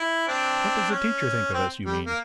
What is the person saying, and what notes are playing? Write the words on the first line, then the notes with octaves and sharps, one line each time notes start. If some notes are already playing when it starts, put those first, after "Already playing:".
"What does the teacher think of us, you mean?"
Already playing: E4
C4 D4
C#4
C4
G3
A#3